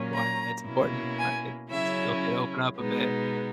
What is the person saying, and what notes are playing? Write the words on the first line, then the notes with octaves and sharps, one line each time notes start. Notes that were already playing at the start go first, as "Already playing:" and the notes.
why it's important, I think it's okay to open up a bit,
Already playing: A#2 F#3 A#3 C#4
A#5
B2 A#3 C#4 E4
G#5
C#3 F#3 C#4 E4 E5
B2 G#3 B3 D#4